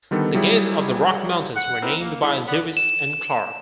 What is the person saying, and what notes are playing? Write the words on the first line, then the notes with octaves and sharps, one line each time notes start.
The Gates of the Rocky Mountains were named by Lewis and Clark.
D3 D#3 G3 B3 A4
F#3 G3 E4 G#4
F#5
A#3 C4 D#4 E4 A#4 B4
A#3
G3 E4 G#4
B3 D5 F#5
E7